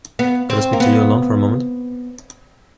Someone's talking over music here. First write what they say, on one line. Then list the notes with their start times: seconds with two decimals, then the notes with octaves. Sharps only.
Could I speak to you alone for a moment?
0.19 B3
0.50 C4
0.73 A#3
0.80 B3